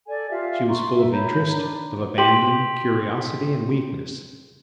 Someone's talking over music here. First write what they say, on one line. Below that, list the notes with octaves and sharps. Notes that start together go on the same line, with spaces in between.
She was full of interest, of abandon, curiosity, and weakness.
A4 D5 G#5
F4 G4 E5 F5
A#5 C6 C#6
E5
C#5 A#5 B5 G6
D4 A#5
G4 C6 F#7